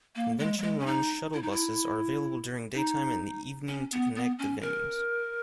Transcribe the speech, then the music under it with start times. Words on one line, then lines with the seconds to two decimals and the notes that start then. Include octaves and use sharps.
Convention-run shuttle buses are available during daytime and the evening to connect the venues.
0.15 A#3
0.39 G#3
0.59 F#3
0.62 G#3
0.79 C#4
0.86 D#4
1.33 E4
1.43 D#4
1.51 E4
2.75 D#4
3.69 C#4
3.92 B3
4.16 B3
4.39 C#4
4.62 A#4